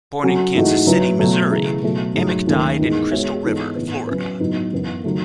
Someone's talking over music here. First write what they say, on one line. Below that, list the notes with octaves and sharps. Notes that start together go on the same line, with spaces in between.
Born in Kansas City, Missouri, Amick died in Crystal River, Florida.
F#3 C#4 F#4 A4
G#2 E3 A3 D#4 F#4
F#3 C#4 E4 B4
B2 F#3 A3
C#3 E3 A3
B2 F#3 A3
G#2 F#3 A3
D#2 D#3 A3 C#4
G#2 E3 G#3 B3 D#4
G#3 B3 F#4 C#5 E5
G#2 E3 B3 D#4 A4
A2 E3 B3
F#3 C#4 E4 B4
A2 F#3 B3 D#4
F#2 E3 B3
D#3 F#3 A3